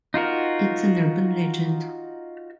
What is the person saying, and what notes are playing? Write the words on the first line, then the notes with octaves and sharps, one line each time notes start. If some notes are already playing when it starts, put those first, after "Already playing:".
It’s an urban legend.
D#4 F4 F#4 A#4